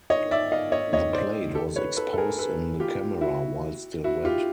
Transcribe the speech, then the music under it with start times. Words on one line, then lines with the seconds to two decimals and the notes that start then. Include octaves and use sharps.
The plate was exposed in the camera while still wet.
0.10 C#5 D#5
0.31 D5 E5
0.52 D#5 F5
0.72 C#5 D#5
0.93 C#5 D#5
1.13 C5 D5
1.55 G4 A4
1.76 B4 C#5
1.97 A4 B4
2.13 A4
2.18 G#4 A#4
2.39 A4 B4
2.80 F4 G4
3.21 E4 F#4
4.04 E4 F#4
4.25 F4 G4